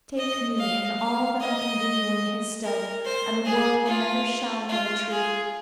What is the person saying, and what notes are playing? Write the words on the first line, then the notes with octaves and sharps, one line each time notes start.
Take me and all that I can give you in his stead, and the world never shall know the truth.
D#5
F5
F5
D#5
A#4
C5
G#4
F4
F4
G#4